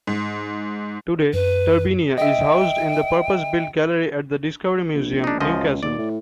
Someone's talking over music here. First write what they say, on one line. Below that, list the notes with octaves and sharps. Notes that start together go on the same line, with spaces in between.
Today, "Turbinia" is housed in a purpose-built gallery at the Discovery Museum, Newcastle.
G#2
F#2 B4
D#5 E5 G5
A#1
D4 D#4
C#2 F#2 F3 D#5
D#2 D5
A2